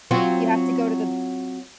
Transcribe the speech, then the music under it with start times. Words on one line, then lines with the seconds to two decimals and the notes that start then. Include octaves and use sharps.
You have to go to the
0.11 F#3 C4 F4